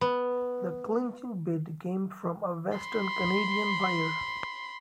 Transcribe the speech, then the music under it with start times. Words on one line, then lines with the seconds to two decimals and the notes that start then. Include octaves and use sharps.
The clinching bid came from a western Canadian buyer.
0.01 B3
2.77 B5 C6